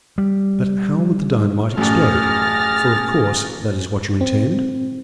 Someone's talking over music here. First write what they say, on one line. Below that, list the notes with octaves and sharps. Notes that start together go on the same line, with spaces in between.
But how would the dynamite explode--for, of course, that is what you intend.
G3
A1 F#2 A3 G#4 F6 A6 A#6
C4